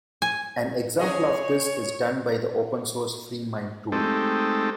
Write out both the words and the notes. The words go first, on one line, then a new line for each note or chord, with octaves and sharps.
An example of this is done by the Open Source FreeMind tool.
G#5
C#4 G#4 C#5 D#5
G#3 A3 C4 D#4 G4 A4